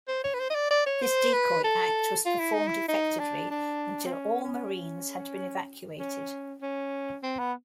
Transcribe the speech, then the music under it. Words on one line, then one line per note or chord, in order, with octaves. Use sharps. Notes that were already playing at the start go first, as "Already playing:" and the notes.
This decoy act was performed effectively until all Marines had been evacuated.
C5
C#5
B4
C5
D#5
D5
D5
C#5
C5
B4
A4
F4
E4
D#4
E4
D#4
D4
D4
C4
C#4
C#4
C#4
C#4
C4
B3